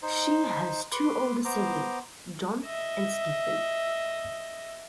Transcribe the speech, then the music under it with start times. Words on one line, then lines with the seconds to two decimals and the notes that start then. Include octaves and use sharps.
She has two older siblings: John and Stephen.
0.02 D#4 C5
0.92 B4 C6 D6
1.45 B3 C5 A#5 D6
2.65 D#5 E5